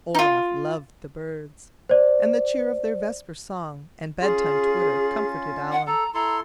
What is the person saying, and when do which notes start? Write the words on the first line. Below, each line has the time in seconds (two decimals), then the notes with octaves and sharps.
Olaf loved the birds, and the cheer of their vesper song and bedtime twitter comforted Alan.
0.15 D#4 F4
1.89 C5 D5
4.21 C#4 F4 G#4
5.72 F#5
5.87 A4 A#5
6.14 E4 A4 A#5 C6